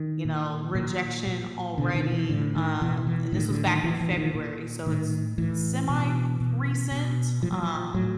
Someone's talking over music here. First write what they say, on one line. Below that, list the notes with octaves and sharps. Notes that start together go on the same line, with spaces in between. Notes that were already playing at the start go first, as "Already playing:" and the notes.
you know, rejection already, um, and this was back in February, so it's semi fr recent, um,
Already playing: D#3
A#2
A#2
A#2
B2 D3
D#3
E3
A2 D3
D#3
B2 E3
E3
A2 D#3
D3
D#3
A#2 E3
E3
D3
D#3
A#2
A2 D#3
A2 E3
B2
B2
B2
A#2 F3
F#3
F3
A2 F#3